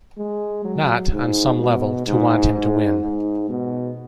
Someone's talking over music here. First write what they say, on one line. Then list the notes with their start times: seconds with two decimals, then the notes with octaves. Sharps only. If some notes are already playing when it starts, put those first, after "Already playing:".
Not, on some level, to want him to win.
0.17 G#3
0.64 F#3
1.12 G#2
1.60 B2
2.07 G#2
2.54 G#2
3.02 G#2
3.49 B2